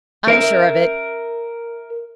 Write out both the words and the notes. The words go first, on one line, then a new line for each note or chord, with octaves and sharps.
I'm sure of it.
A#4 E5